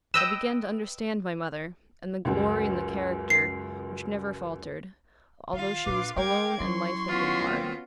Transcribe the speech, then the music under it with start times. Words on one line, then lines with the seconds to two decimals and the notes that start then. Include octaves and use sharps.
I began to understand my mother and the glory in the character which never faltered, although she was alone and life had been hard.
0.14 B4 D#5 G5 E6
2.25 C#2 F#2
3.30 C7
5.53 D#3 F4 F5
5.86 A#2 D4 B4 D6
6.16 G#3 C#4 A#4 F5 G5 D6 G#6
6.60 F#2 F#3 E4 C6 C#6
7.08 B3 C#4 F4 F#4
7.48 D#3 A#3 C4